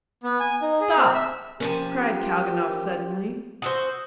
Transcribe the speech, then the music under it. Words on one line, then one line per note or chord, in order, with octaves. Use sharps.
"Stop!" cried Kalganov suddenly.
B3
G#5
D#4
G#4
C4
E5
F3 A#3 B3 C#4 G4 A#4
F#4 A4 C5 D#6 E6 G6